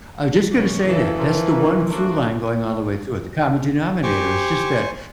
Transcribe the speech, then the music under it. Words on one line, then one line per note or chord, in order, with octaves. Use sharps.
I was just gonna say that, that's the one true line going all the way through it, the common denominator is just that
F#2 B2 C#4
C#3 E3 A4
F3 A#4 C5 A5
A#3
A3 C#4 D4 F#4 C5
G4 C5 G#5 C#6